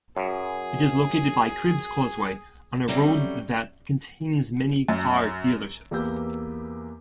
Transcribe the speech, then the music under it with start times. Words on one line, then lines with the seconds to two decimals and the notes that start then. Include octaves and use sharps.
It is located by Cribbs Causeway, on a road that contains many car dealerships.
0.17 F#2 G#4
2.88 F#3 G3 A3 C4 C#4
4.89 F#2
5.91 E2 A#3 G4 B4 E6 G6